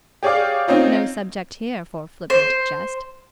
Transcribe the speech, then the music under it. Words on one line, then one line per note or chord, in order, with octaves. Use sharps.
No subject here for flippant jest.
G4 G#4 C#5 D5 F5
C4 C#4 D#4 F4
C5